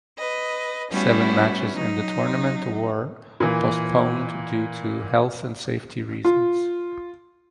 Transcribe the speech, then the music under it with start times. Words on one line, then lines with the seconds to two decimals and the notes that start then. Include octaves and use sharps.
Seven matches in the tournament were postponed due to health and safety reasons.
0.18 B4 D#5
0.91 G3 A3 B3 C#4 E4 F#4
1.75 F#3 D#4
3.40 A#2 E3
6.25 F4